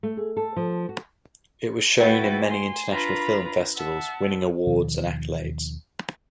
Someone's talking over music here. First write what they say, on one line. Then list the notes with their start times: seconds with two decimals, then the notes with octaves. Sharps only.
It was shown in many international film festivals, winning awards and accolades.
0.03 A3
0.17 G#4
0.37 A4
0.56 F3
0.89 F#4
1.96 A3 E4 F#4 B4 G5 A6
2.44 G#5 C6
2.90 D4 F4 B4 A#5 B5
3.75 E5 F#5 A5
4.67 D#2 B2 D#3 F3